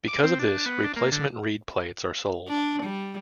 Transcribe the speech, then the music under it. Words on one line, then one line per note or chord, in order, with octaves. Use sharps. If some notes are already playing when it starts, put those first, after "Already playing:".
Because of this, replacement reed plates are sold.
D6
C4
D4
B3
D4
A#3
D3
D4
G3